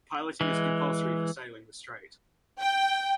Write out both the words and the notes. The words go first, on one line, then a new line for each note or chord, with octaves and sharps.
Piloting is compulsory for sailing the strait.
E3 G#3
G5